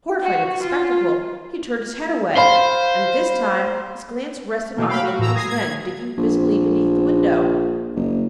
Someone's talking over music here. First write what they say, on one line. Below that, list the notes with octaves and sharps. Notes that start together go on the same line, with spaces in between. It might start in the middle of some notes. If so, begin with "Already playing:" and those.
Horrified at the spectacle, he turned his head away, and this time his glance rested on a group of men, digging busily beneath the window.
F#4
F4
C5 F5 B5
B2 E3 A3 A#3
F5 G5 B5
F#4
A2 E3 A#5 E6
D#6 G#6 A#6 C7
G#6
A#1
F#1